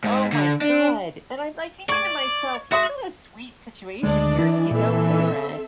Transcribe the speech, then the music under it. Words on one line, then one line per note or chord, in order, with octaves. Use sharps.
Oh my god. And I'm, like, thinking to myself, "you've got a sweet situation here. You don't pay rent,
G#2
D3
D4
D5 C#6 G#6
F#4 E5 C6 D#6
D2 G#3 D4 D5 D#5
E3 E4
A#2 C4 A4 E5